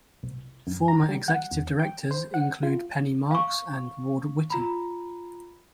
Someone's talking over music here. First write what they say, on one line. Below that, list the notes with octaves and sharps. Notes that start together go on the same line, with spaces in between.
Former executive directors include Penny Marks and Ward Whiting.
C2
F#2
A#5
G3
F#5
E2
G5
C5
F#5
F4
F5 C#6
F4 A#5 B5